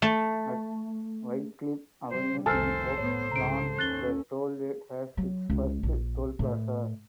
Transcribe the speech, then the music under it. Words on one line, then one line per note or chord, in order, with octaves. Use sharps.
At Wycliff Avenue in Oak Lawn the Tollway has its first toll plaza.
A3
C3 G3 C5
F1 C2 D#3 A4 C5 G#5 F6
A2 B3 C#5
C2 G#2 C#3 A#5 D7
D#2 C#4 F#6 A6 G7
F#3
C#2
A#1
A2